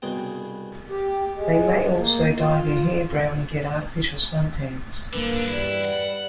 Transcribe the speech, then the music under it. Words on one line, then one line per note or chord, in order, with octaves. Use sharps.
They may also dye their hair brown and get artificial suntans.
C2 G2 B2 G#4 G5
G4
G#3
A#3
F4
E2 G2 D3 A#3 B4
D3 D4
G3 E4
F#5